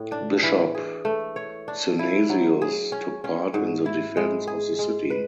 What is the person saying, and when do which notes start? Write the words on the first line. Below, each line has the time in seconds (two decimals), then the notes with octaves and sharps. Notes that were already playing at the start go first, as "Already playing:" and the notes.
Bishop Synesius took part in the defence of the city.
Already playing: A2
0.12 D4
0.43 E3
0.75 G#4
1.05 A3
1.36 C#5
1.68 D4
1.99 E4
2.29 F#3
2.62 G#4
2.92 C#4
3.24 C#4
3.54 G#2
3.86 E4
4.17 G#3
4.47 G#4
4.79 G#3
5.10 B4